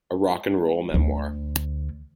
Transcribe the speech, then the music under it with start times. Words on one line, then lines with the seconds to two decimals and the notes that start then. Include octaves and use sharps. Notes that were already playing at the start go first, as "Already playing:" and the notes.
A Rock-and-Roll Memoir.
0.94 D2 D3